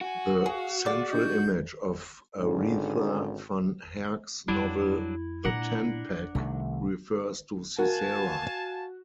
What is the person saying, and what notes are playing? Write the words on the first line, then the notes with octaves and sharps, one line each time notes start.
The central image of Aritha van Herk's novel 'The Tent Peg' refers to Sisera.
F#4 G#5
G#4 F5
F4 G#4 D5 F#5 A6
D4 D#5 G6
G#1 G#2 D3 C#4
F2 F#3 G3 D4 E4
A#2 G#3 D4 F#5 A#5
C2 C3 D#3 A3
F#4 A#4 F5 G#5 A5